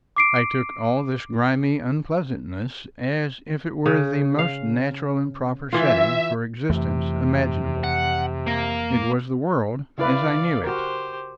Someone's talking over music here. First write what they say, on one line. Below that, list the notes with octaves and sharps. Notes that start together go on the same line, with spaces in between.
I took all this grimy unpleasantness as if it were the most natural and proper setting for existence imaginable. It was the world as I knew it.
D6 C7 D7
C#3
F5
E3 F4 E5
F2 C3 E3 A3
F#5
A#3
C#3 E4 B4 D5 F5
F#4 G4 A#4 C5